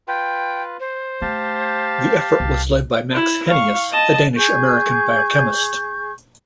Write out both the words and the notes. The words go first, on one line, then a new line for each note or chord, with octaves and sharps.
The effort was led by Max Henius, a Danish-American biochemist.
F4 B4 G5
C5
A3 G4 F5 A5
C2
E4
F5 C#6
D#5 A5
G#4 C#6 G6